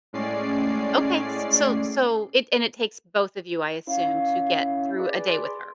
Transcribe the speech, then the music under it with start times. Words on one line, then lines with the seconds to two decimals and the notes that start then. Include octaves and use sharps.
Okay, s so so it and it takes both of you, I assume, to get through a day with her?
0.13 A2 G#3 C#4 D5 C7
3.87 C#4 E4 F5
4.99 G#4 B4 D5
5.26 C6